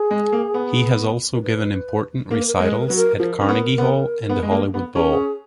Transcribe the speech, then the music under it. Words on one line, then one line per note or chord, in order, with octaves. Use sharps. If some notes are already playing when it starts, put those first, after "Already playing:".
He has also given important recitals at Carnegie Hall and the Hollywood Bowl.
Already playing: G#4
G#3
A#3
B3
A#4
B4
A#3 A#4
B4
A#4
B4
G#3 A#4
B4
A#4
F#3 B4
A#4
F3 A#4
C#4
B3
B3
B3
G#3
A#3
B3
C#4 G#4
A#4
G#4